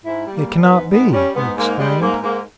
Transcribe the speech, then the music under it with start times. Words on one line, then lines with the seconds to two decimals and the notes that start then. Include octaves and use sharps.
"It cannot be!" he exclaimed.
0.04 G#2 E4
0.26 G3
0.33 A#3
0.47 G3
0.62 B3
0.70 G#2
0.91 G#2 B3
1.13 G3 C#4
1.35 G#2 B3
1.57 G#2 A#3
1.78 G3 G#3
2.01 G#2 A#3
2.22 G#2 A#3